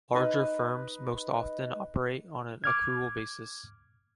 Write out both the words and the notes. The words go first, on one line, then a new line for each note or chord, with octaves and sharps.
Larger firms most often operate on an accrual basis.
D#4 B4
D6 F6 G#6